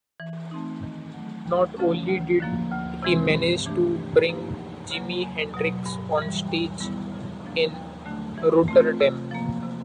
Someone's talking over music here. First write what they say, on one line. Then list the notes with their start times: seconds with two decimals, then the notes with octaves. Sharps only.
Not only did he manage to bring Jimi Hendrix on stage in Rotterdam.
0.20 E3
0.51 A3 C4 D#4
0.83 D#3
1.14 F#3 A3
1.46 D#2
1.77 C#3 F3 A3 C#4
2.09 D2
2.40 D3 F3 A#3
2.72 D2
3.03 C3 E3 G#3 C4
3.35 G2
3.66 E3 A3 D4 G4
3.97 A#2
4.29 F3 A#3 D#4 G4
4.60 D2
4.91 C#3 F#3 A#3
5.23 E2
5.54 B2 F#3
5.86 G2
6.18 E3 G3
6.48 D#2
6.80 D#3 G3 B3 E4
7.11 C#3
7.42 F3 A#3 D4
7.74 D#2
8.06 D3 F#3 A3 D4
8.38 E3
8.68 A3 C4 F4
9.00 C3
9.31 F3 A#3
9.63 C3